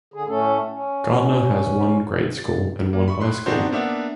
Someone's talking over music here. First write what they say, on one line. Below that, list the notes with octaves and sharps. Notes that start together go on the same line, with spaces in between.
Gardner has one grade school and one high school.
D3 G#4
A2 A3 C#4 A4
C#4
A6
A#3
B5 C#6
B5 C6 F#6
B3 C4 D4 D#4 F#4 C5
A#3 B3 D4 E5 F#5